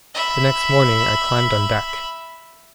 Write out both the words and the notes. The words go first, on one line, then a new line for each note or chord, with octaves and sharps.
The next morning I climbed on deck.
E5 B5